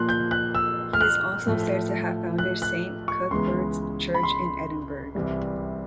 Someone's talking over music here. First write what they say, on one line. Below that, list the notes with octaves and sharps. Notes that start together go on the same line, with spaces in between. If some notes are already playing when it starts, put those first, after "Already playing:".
He is also said to have founded Saint Cuthbert's Church in Edinburgh.
Already playing: A#2 F3 A#3 C6 F#6
G6
F#6
E6
F6
F#6
A2 F3 A3
F#6
F#6
C#6
C#2 C#3 E3 G#3 B3 C6
B5
C6
C2 C3 E3 G3